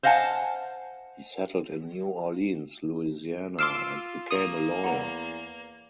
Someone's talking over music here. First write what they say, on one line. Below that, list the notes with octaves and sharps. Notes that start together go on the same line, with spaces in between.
He settled in New Orleans, Louisiana, and became a lawyer.
C5 D#5 F5 F#5 G#5 A5
F4 C6 D6 E6 F6 C7
A#3 D#6
E2 F#5 A#5